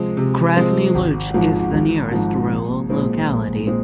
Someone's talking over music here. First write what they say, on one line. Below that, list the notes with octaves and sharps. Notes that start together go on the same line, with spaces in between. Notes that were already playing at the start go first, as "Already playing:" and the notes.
Krasny Luch is the nearest rural locality.
Already playing: C3 F3 G#3 C4
C3
F3 G#3 C4
G#1
G#2 F3
G#1
G#2 F3
A#1
A#2 G#3 C4
A#1
A#2 G#3 C4